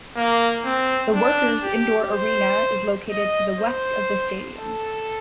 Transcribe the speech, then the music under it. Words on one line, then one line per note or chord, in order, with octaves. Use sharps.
The Workers Indoor Arena is located to the west of the stadium.
A#3
C4
D4
G4
C5
D#5
C5
A4